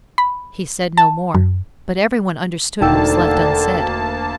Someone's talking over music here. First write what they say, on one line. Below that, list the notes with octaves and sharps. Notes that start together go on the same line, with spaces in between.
He said no more, but everyone understood what was left unsaid.
B5
A5
F#2
E1 D2 D3 A#3 D#4 G5 A5 E6